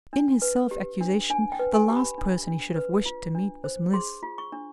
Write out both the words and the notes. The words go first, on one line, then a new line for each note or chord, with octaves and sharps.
In his self-accusation the last person he should have wished to meet was Mliss.
D4
B4
G4
D4
D4 G#5
G5
B4
G#5
G4
B5
D4
D4
B4
F4
D4
C5
G#4 C6
F4
C#6
D4